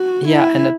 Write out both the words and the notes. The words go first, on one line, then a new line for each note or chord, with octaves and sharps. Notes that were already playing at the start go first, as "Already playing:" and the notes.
Yeah, and the
Already playing: F#4
E4